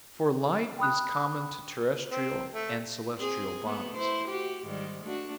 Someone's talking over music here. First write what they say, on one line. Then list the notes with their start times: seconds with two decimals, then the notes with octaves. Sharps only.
For light is common to terrestrial and celestial bodies.
0.79 G5 B5 D#6 F#6
2.11 C4
2.53 A3
3.17 C4 G#4
3.63 A3 B3 B4
3.95 E4 C5
4.28 F#4 G4
4.66 G#2 D#3 G3
5.03 A3 D4 F#4